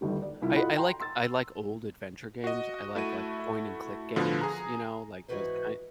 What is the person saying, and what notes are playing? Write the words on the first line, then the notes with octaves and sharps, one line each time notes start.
I I like I like old adventure games, I like, like, point and click games, you know, like, those kind
G1 D#2 G3 A3
D5
C2 E4 F4
F4 F#4 A4 D#5 F#5 B5
G5 A#5 C6
C6 E6 A6
F#4 D#5
A3 E4 F#4 D#7
B2 D3 F3 B3
G#4 A#5
G#2 E3 E4 F#4 B4 C5